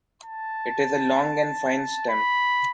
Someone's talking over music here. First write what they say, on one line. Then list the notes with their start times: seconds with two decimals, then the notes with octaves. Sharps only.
It is a long and fine stem.
0.25 A5
2.09 B5